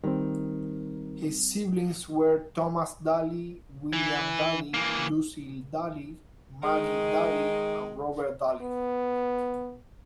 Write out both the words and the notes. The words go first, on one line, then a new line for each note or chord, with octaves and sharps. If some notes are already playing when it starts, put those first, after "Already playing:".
His siblings were Thomas Daly, William Daly, Lucy Daly, Maggie Daly, and Robert Daly.
D#3 G3 C4
E3
E3 A#3
D#3 G#3
B3